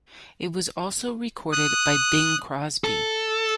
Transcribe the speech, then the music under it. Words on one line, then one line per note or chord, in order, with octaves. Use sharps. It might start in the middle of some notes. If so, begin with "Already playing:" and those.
It was also recorded by Bing Crosby.
D#6 F#6
A4